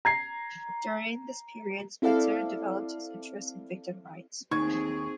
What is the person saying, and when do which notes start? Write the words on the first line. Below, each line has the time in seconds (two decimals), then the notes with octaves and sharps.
During this period Spitzer developed his interest in victims' rights.
0.05 A#5 G#6 C7
2.02 C4 E4 A4 D5 F5
4.51 D#2 C4 D#4 G#4 C#6 G#6